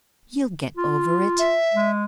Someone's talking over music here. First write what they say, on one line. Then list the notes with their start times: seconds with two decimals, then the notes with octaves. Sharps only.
You'll get over it.
0.77 F4
1.39 E5
1.73 G#3